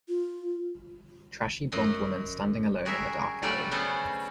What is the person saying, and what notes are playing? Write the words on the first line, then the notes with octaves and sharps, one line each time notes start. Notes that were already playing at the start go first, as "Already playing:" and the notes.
Trashy blond woman standing alone in a dark alley.
F4
F#2 D#5 C6
G3 F#4 G#4 A#4 E5
F#3 G3 A3 D4 F4 D5
C#3 B3 C#4 F#4 A4 C5